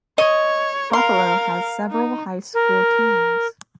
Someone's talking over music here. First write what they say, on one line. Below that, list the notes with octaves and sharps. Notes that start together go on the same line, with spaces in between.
Buffalo has several high school teams.
C#5 D#5
A#4 F5 C6
D#4
A#4